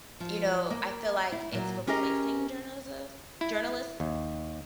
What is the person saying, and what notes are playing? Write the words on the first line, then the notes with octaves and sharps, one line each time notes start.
you know, I feel like it's replacing journalism journalist,
F3
A#3
E4
A#2 F#3
C#4 G4 G#4 A#4 D#5
E4
D#2